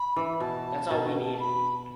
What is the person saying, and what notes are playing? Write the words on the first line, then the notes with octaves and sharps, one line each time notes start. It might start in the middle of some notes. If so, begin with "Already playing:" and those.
That's all we need.
Already playing: B5
E3
B2 A5
B2
A5
B5